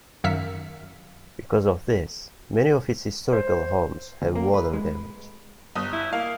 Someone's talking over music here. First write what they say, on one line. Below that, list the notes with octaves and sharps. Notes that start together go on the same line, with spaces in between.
Because of this, many of its historical homes have water damage.
F#2 D#3 E5 F5 B6 C#7
C5
D2
A#3
B4
G#3
G1 D#6
E4
A#3 F5